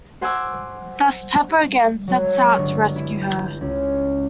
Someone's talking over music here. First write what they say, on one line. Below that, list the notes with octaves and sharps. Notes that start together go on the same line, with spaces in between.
Thus, Pepper again sets out to rescue her...
C5 F#5 G#5 C#6 D6 E6
F#3
G#3
C#6
G1
E4
G6
C#2